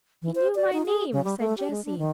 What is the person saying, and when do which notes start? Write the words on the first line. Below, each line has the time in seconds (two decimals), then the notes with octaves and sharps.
"He knew my name," said Jessie.
0.22 E3
0.35 C5
0.55 D5
0.73 D#4
0.86 G#4
1.12 C#3
1.24 G3
1.39 A3
1.57 G4
1.71 G#3
1.85 D4
1.99 D#3